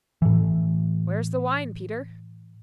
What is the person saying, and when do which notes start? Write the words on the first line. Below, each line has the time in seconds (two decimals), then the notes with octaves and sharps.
"Where is the wine, Peter?"
0.22 A2 E3